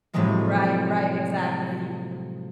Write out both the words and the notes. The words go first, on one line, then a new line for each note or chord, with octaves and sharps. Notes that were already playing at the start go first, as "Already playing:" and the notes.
Right, right, exactly.
A2 C3 F3 F#3 G#3 A#3